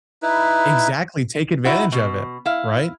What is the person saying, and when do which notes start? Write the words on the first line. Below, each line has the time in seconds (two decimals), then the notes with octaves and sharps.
Exactly, take advantage of it, right?
0.22 D#4 E4 B4
1.65 F#3 D#4 E4 F#4
1.92 B2
2.46 E4 F5